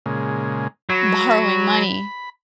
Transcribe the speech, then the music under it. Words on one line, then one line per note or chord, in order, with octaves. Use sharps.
borrowing money
A#2 C#3 G#3
F#3 B5